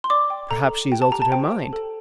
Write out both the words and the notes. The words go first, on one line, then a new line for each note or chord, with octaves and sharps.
"Perhaps she has altered her mind."
C6
D5 D6
G5
A4 A#5
A4
G4 G5
A5
G4 A#5
A5
C5 G5
G5
A4